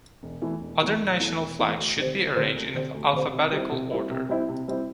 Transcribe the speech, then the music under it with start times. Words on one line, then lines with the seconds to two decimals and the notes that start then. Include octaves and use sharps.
Other national flags should be arranged in alphabetical order.
0.23 E1
0.42 E2 E3 A3
0.61 E1
0.81 E2 E3 A3
1.00 E1
1.20 E2 E3 A3
1.39 E1
1.59 E2 E3 A3
1.77 D2
1.96 D3 C4 G4 C5
2.16 D2
2.35 D3 C4 G4 C5
2.55 D2
2.74 D3 C4 G4 C5
2.94 D2
3.13 D3 C4 G4 C5
3.32 C3
3.52 G3 C4 E4
3.71 C3
3.91 G3 C4 E4
4.10 C3
4.29 G3 C4 E4
4.49 C3
4.68 G3 C4 E4